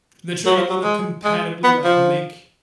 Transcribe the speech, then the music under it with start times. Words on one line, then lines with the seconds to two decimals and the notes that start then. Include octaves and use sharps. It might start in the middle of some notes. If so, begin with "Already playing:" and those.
that you're able to compatibly, like, make
0.46 F#3
0.57 F3
0.70 F#3
0.84 G#3
1.24 G#3
1.64 B3
1.84 F3